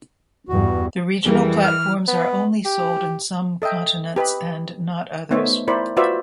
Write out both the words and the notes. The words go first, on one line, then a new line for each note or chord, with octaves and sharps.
The regional platforms are only sold in some continents and not others.
E2 G2 F#4
F2 E3 G3 F#4 G#4 A#4
F6
B3
G4
A4 D#5 E5 G5
G4 B4 D#5 B5
A3 B3 D#4 C5 C#5 E5
E4 A#4 C5 D5 B5
F4 F#4 B4 C5 D5 E5